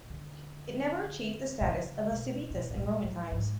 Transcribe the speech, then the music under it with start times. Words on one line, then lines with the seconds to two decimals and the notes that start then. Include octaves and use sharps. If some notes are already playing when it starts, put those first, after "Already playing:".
It never achieved the status of a civitas in Roman times.
0.10 D3
1.61 C3
1.71 C#3
2.11 B2
2.51 B2
2.70 A2
2.78 A#2
3.04 A2
3.32 G#2